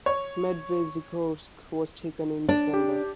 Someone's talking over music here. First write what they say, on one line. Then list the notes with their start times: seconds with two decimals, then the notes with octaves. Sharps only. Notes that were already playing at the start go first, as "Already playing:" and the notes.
Medvezhegorsk was taken in December.
0.06 C#5
2.49 D4
2.74 G4